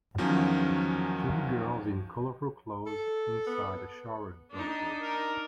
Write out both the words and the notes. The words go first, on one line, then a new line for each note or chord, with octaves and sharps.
Two girls in colourful clothes inside a shower enclosure.
E2 D#3 F3 F#3 C#4
A4
B3
D4 D#4
A#4